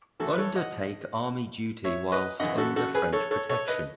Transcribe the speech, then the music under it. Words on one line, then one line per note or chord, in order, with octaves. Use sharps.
Under take army duty whilst under French protection.
A2 E3 F#4 A4
B4
A4 C#5
D#5 F#5
C#5 E5
B4 D#5
F#2 C#3 E3 D#5 F#5
F#4 A4
F#4 A4
G#4 B4
A4 C#5
A4 C#5
A4 C#5
B4 D#5